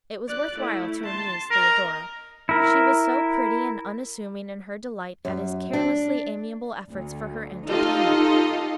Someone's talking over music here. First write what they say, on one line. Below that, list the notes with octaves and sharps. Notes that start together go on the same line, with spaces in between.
It was worth while to amuse Theodora, she was so pretty and unassuming in her delight at his carelessly-amiable efforts for her entertainment.
D5 F#6
A3 E4
A5 C6
A#4 D#5 A#5
E4 A#4
F#2
D4
D2
D#4 F4 G4 A4 D#5 F5